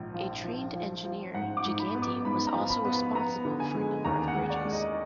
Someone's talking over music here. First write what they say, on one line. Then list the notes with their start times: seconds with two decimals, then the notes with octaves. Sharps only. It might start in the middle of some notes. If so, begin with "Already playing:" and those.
A trained engineer, Giganti was also responsible for a number of bridges.
Already playing: A#1 G#2
0.14 F3
0.44 F3
0.75 F3
1.05 F3
1.34 G#2 F#5
1.57 D6
1.65 G#2
1.80 B5
1.95 B3
2.02 D6
2.24 G#2 B5
2.47 A#5
2.54 F3
2.70 B5
2.85 B3
2.93 B5
3.15 B3 A#5
3.45 D3
3.60 G#5
3.75 G#3
4.05 D#2 A#5
4.28 F#5
4.35 G#3
4.50 D5
4.65 G#3
4.73 D#5